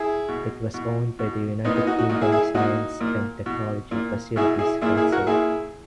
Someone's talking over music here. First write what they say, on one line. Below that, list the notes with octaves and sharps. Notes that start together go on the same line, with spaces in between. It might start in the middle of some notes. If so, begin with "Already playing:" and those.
It was owned by the United Kingdom Science and Technology Facilities Council.
Already playing: E4 G#4
B2
B2
B2
A#2 B3 D#4
B3 D#4
D#4 F#4
D#4 F#4
A#2 D#4 F#4
E4 G#4
E4 G#4
A#2 D#4 F#4
A#2
B2
A#2
B2 E4 G#4
E4 G#4
A#2 E4 G#4
E4 G#4
F#4 A#4
A#2 E4 G#4